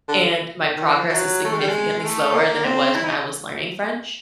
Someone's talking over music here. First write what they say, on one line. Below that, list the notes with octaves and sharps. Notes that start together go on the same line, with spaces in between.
and my progress is significantly slower than it was when I was learning French.
D3
D#3
E3
F3
F3
F#3
A3
G#3
G3
G#3
G#3
A3
A#3
C4
E4
D#4